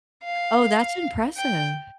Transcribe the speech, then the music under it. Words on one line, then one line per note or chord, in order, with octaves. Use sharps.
Oh, that's impressive.
F5
G5